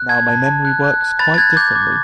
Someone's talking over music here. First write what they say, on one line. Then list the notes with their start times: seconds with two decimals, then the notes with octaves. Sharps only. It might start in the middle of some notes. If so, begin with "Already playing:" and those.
Now my memory works quite differently.
Already playing: F#6
0.09 A5 G#6
0.28 A5
0.46 A5
0.65 F#6
0.84 F#6
1.01 F#6
1.19 B5 A6
1.34 A6
1.38 F#6 G#6
1.56 D6 G6
1.75 D6